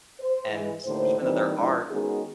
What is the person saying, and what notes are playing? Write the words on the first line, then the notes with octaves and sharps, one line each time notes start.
and even though there are
C5
E3 G#3
D#2 A2 D3 C5
A#2 D#3 E3 G3 C4
G#2 F3 G#3 B3 D4 E4
D#3 G#3 B3 C#4 F#4 G#4